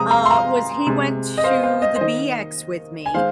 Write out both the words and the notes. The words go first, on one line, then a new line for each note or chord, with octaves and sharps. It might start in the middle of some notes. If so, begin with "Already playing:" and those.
uh, was he went to the BX with me,
Already playing: C3 F3 G#3 A#5 D#6
F5 A#5
C6
F5 A#5
C3 G#3
D#5
C5 F5
C5 F5
D#5
C5
D#3 A#3 D#5
G#5
D#3 G#3 C5 F5